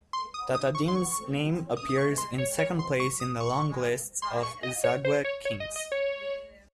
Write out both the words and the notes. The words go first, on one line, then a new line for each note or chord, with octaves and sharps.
Tatadim's name appears in second place in the long lists of the Zagwe kings.
C6
D#6
D#6
C#6
C6
C#6
D#6
D#6
C#6
C6
C#5
C#5
C6
C#6
D#6
C#6
C6
C#6
D#5
C#5
C5
C#5
C#5
D#5
D#5
C#5